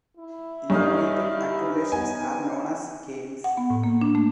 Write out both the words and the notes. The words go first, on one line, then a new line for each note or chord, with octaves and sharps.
Elongated accumulations are known as kames.
E4
G2 C#4 D#4 F5
B4
B3 G#5
F#5
B3
A2
A#3
D4
A3